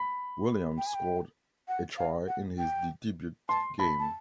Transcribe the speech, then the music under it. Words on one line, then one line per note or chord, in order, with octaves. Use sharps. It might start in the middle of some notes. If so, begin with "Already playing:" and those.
Williams scored a try in his debut game.
Already playing: B5
G5
G#5
G5
F#5
F5
F#5
G5
A5 C6
A5 B5
A5